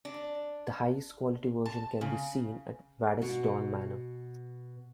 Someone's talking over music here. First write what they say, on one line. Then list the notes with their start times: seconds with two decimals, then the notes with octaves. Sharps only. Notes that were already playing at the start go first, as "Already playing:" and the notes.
The highest quality version can be seen at Waddesdon Manor.
0.05 D4
1.66 A5
2.01 C#3
3.22 B2 F#4